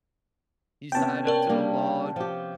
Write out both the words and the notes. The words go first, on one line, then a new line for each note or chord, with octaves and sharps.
he's tied up to a log,
C3 B3 C#4 G5 A5
A#4 C#5 D5
G3 A#3 D4
F3 G4